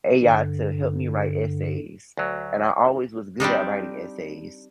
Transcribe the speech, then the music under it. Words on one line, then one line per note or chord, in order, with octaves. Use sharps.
AI to help me write essays, and I always was good at writing essays.
G2 D3
D2 F#3
G3 C4 D4 D#4